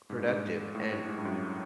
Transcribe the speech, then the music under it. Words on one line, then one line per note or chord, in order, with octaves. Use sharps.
productive and
G#2
G2
G#2
A2
A2
G#2
G2
F#2